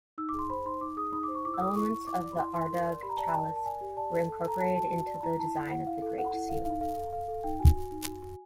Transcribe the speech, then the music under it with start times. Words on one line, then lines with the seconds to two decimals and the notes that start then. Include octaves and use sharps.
Elements of the Ardagh Chalice were incorporated into the design of the Great Seal.
0.18 D#4 E6
0.29 D6
0.34 G#4 C6
0.50 C5 B5
0.66 D#4 C6
0.81 D#4 D6
0.97 G#4 D#6
1.12 D#4 D#6
1.23 C5 D6
1.35 C#6
1.45 E4 D6
1.54 E6
1.60 A4 D#6
1.68 D6
1.76 E4 C#6
1.92 E4
2.07 E4 D6
2.23 D5
2.38 E4 C6
2.54 E4 C6
2.70 A#4
2.87 D5
3.03 G4 B5
3.09 A#5
3.17 D5 A5
3.24 A#5
3.33 D5 A5
3.49 A#4
3.56 A5
3.66 D5 G#5
3.81 G4
3.97 D5 A5
4.12 A4
4.29 A4
4.45 A4 A#5
4.60 A4 A5
4.75 F#4 A5
4.92 F#4
5.07 D5
5.23 E4 A#5
5.39 E4 A5
5.55 E4
5.70 E4 F#5
5.86 E4 F5
6.02 A4
6.18 A4 F#5
6.33 E4
6.49 A4 F5
6.65 D#4 F5
6.81 A4 F5
6.97 A4
7.13 A4 F5
7.28 A4
7.44 D#4 G5
7.60 F#4 G#5
7.76 F#4
7.91 D#4
8.07 F#4
8.23 F#4